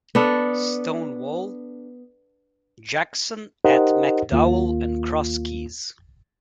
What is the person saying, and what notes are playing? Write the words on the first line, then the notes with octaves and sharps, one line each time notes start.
"Stonewall" Jackson at McDowell and Cross Keys.
B3 D4 A4
D#4 G4 A#4 C5 D#5 F#5
D#2 A#3 F4